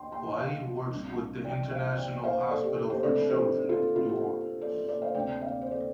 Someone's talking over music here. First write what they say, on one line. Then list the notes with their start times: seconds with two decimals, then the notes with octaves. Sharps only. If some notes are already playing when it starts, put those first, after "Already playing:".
Quaid works with the International Hospital for Children in New Orleans.
Already playing: D2 G5 C6
0.12 G5 C6
0.38 F5 A5
0.92 C2 C3 G3 D4
1.44 D5 G5
1.71 C5 F5
1.97 D5 G5
2.23 C5 F5
2.50 A4 D5
2.64 G4
2.77 G4
2.90 G4 C5
3.03 C3 A3 D4 A4 D5
3.30 G4 C5
3.69 F4 A4
3.96 F4
4.05 A4
4.09 G4
4.61 A4 D5
4.88 A4 D5
5.02 C5 F5
5.14 D2 C3 A3 D4 D5 G5
5.42 F5
5.51 D5
5.61 C5
5.71 A4 D5